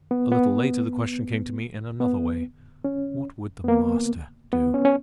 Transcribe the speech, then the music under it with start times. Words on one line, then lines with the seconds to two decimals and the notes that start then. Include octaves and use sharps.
A little later the question came to me in another way: What would the Master do?
0.11 B3
0.32 B3
2.00 B3
2.84 C#4
3.64 B3
3.68 A#3
4.53 B3
4.74 C#4
4.85 C#4